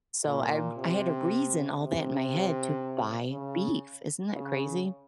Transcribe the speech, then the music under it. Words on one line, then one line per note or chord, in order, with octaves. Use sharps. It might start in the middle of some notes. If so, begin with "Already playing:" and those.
So, I r I had a reason all that in my head to buy beef. Isn't that crazy?
A#2
C3
C3
C#3
C#3